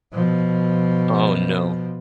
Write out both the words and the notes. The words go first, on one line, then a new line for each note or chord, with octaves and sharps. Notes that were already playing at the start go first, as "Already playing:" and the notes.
Oh, no.
B2 F3